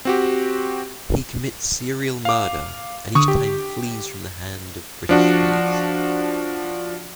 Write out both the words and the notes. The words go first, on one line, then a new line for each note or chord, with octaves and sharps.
He commits serial murder and each time flees from the hand of British police.
C4 F#4 G4
F5 D6
D3 C#6 D#6
G4
F3 D4 F#4